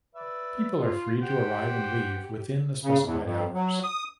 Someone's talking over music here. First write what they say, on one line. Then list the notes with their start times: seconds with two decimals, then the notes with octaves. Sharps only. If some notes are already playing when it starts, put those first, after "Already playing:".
People are free to arrive and leave within the specified hours.
0.15 B4 D5 E5
0.76 F4
1.22 G4 C5 F#5 G5
2.83 C#3
3.04 E2
3.23 F2
3.54 F#3
3.83 D#6